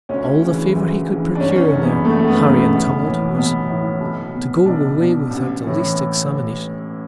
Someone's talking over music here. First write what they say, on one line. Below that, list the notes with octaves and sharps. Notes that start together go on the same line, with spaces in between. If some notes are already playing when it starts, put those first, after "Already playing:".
All the Favour he could procure, in their Hurry and Tumult, was, to go away without the least Examination.
D2 C#4
C#3 E3
D2
C#3 E3
D4
G1 C#4
C#4
D4
F#2 C#3 E3
B3
G1 A3
A3
B3
F#2 C#3 E3
B3
B1
A2 E3
B1 B3
A2 E3
B1
B2
B1 D4
B2
A1
A2 E3